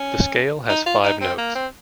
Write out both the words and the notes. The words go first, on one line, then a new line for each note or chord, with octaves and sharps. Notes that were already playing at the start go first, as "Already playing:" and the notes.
The scale has five notes.
Already playing: C#4
D#4
F4
D#4
C4
A#3
C4